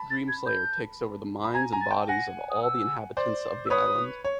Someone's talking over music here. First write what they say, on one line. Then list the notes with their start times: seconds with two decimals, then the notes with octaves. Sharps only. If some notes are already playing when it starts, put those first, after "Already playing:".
Dreamslayer takes over the minds and bodies of all the inhabitants of the island.
Already playing: A5 B5
0.10 A6
0.28 G#6
0.46 G6
1.44 B5
1.54 G#5 A#5 G#6
1.72 G#5 A#5
1.81 A6
1.91 G5 A5
2.09 F#5 G#5 A#6
2.50 D#6
2.63 E6
3.17 C5 D5
3.66 E6
3.70 B4 C#5 D#6
4.25 C#5